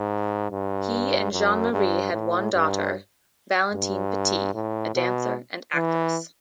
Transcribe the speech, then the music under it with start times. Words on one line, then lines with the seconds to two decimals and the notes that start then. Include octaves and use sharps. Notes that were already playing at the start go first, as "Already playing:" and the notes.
He and Jeanmaire had one daughter, Valentine Petit, a dancer and actress.
Already playing: G#2
0.51 G2
1.32 F#2
1.72 G2
2.13 A2
2.53 G2
3.74 G2
4.55 A2
4.95 B2
5.75 E3